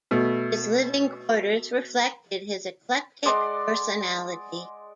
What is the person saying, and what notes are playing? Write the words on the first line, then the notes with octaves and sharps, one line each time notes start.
His living quarters reflected his eclectic personality.
B2 A3
G#3 D5 F#5 C6